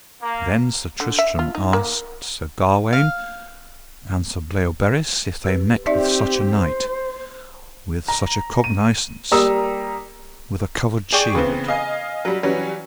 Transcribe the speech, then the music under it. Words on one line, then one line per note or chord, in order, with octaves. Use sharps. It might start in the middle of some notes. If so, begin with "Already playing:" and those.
Then Sir Tristram asked Sir Gawaine and Sir Bleoberis if they met with such a knight, with such a cognisance, with a covered shield.
A#3
D3
E5
F4
D#4
A#3
F5
G4 B4
C4 D#4 G4 D5 E5
C5
A#5
D#7
G3 A#3 A#5 D#6 E6
G#4 D5 G5 C#6
C#3 E3 B3 C4
D#5 F5 G#5
F#3 G3
E3 F#3 G3 C#4